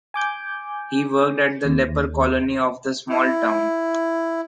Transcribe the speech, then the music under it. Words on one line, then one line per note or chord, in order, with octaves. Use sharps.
He worked at the leper colony of the small town.
G#5 D6 G6
D#2
E4